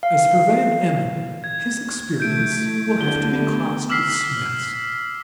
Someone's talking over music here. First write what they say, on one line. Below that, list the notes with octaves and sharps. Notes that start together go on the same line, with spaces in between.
As for Van Emmon, his experience will have to be classed with Smith's.
F5
G#6
A3 E4 G6 D7
D3 F3 G4 G#6 G7
A3 B3
D6 E6 F6 B6 C7